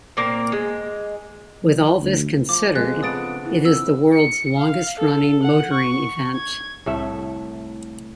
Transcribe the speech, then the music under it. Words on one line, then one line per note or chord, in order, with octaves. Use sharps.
With all this considered, it is the world's longest running motoring event.
A#2 A#3 C4 A#4
G#3
F3
D2
F3 D6
F2 G#3 F#6
C#3 B3 D4 D#6 A6 D7
E3
F2 E6
C#7
F5
A4
F#5
C#6
G#6
C2 A2 A3 E5